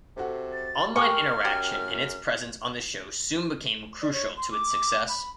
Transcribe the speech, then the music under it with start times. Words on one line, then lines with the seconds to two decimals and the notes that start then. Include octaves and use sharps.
Online interaction and its presence on the show soon became crucial to its success.
0.17 C3 F#4 A4
0.53 A6
0.96 G4 A#4 G5 G#5 C#6 F6
1.45 F#2 G4
4.02 D5
4.13 C#5
4.37 C6
4.52 D6
5.09 B5